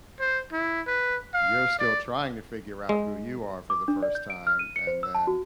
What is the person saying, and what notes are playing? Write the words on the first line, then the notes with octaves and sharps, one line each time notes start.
you're still trying to figure out who you are for the first time, and then
C5
E4
B4
F5
D5
G#3
D6
D4
D5
G6
D7
F6
D#7
C#7
C5
E6
A5
F#4